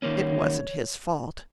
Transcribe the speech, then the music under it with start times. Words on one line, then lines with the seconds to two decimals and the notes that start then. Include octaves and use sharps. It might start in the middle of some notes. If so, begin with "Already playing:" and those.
It wasn't his fault.
0.02 D#3 A#3 C#4 C#5